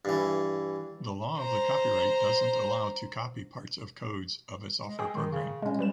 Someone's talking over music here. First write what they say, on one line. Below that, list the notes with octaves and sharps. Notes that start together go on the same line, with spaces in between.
The law of the copyright doesn’t allow to copy parts of codes of a software program.
G2 E3
C5 A#5
G#3
G#4 G5 G#5
D#3 C6
C#3
A#2 G#3 C#4
G3 B4 E7